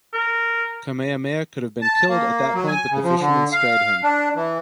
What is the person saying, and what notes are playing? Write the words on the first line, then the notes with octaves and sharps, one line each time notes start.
Kamehameha could have been killed at that point but the fisherman spared him.
A#4
A5
A#3
F#3
G#5
C#3
F3
D3
F5
D4
E3